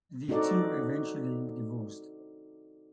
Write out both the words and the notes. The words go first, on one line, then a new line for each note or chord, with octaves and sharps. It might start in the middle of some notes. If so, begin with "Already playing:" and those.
The two eventually divorced.
C4 D#4 F#4 A4 D5